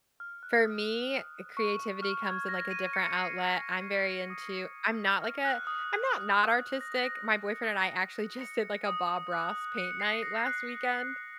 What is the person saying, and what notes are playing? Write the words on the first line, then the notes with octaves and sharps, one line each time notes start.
for me, creativity comes in, like, a different outlet, I'm very into I'm not like a I'm not not artistic. My boyfriend and I actually just did, like, a Bob Ross paint night last weekend,
F6
F#6
D#6
C#6
F6
G#6
A#6
D#7
C#7
C7
A#6
C7
A#6
D#6
F6
F#6
D#6
A#6
A#6
C#7
C#7
D#6
F#6
C#7
C7
A#6
F#6
A#6